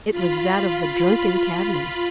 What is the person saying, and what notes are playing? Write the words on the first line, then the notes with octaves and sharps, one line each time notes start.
It was that of the drunken cabman.
F4 B5